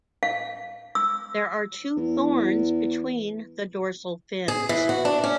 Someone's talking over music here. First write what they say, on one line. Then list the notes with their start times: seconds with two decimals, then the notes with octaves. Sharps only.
There are two thorns between the dorsal fins.
0.23 F5
0.95 E6
1.97 E2
4.48 G#4
4.69 E3
4.89 F#4
5.05 D4
5.24 C#4